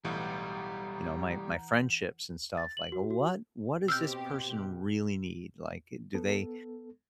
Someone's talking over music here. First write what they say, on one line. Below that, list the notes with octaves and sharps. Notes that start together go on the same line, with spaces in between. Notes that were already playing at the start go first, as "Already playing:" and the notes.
you know, my my friendships and stuff, like, "What what does this person really need?" Like, do they
B1 A2 E3 G3 F#5 A#5 G6
A6
F#7
F#4
F#4
B2 C4 G4 E6 F6 G6
B3 A4